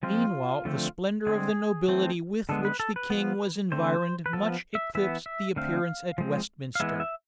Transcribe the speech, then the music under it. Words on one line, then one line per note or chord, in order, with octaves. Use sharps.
Meanwhile the splendor of the nobility with which the king was environed much eclipsed the appearance at Westminster.
F3 G#3 C4 F4
D3 F3 A3 C4
D3 G#3 C4 G#4
E3 A3 C4
D3 G#3 B3 A4
B4
A4
B4
F3 B3
D3 A3 C4 C5
B4
F3 B3 A4
E5
E3 B3 E5
E5
D3 A3 C4 F5
F3 G#3 C4
F5
E3 G#3 B3 E5
E5